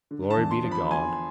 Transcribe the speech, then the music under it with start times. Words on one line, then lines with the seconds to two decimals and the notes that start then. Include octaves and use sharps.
Glory be to God.
0.11 D3
0.30 A5
0.37 E2
0.51 C6
0.64 F3
0.71 B5
0.91 E2 G#5